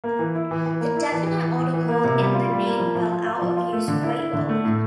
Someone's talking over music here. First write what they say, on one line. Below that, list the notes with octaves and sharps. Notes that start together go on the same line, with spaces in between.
The definite article in the name fell out of use quite early.
A#3
E3
E4
E3
E3
A#3
E4
E3
E3
E3
E3
E3
A#3
C3
G3
F4
G3
A#3
F3
F3
F4
F4
F3
F4
A3
D3
E4
E4
D3
A3
A2